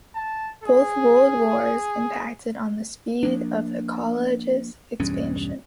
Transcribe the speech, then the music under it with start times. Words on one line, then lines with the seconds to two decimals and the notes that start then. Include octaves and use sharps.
Both World Wars impacted on the speed of the College's expansion.
0.15 A5
0.64 G#4
3.23 F3 A#3 D4
5.00 B1 E2 G2 C#4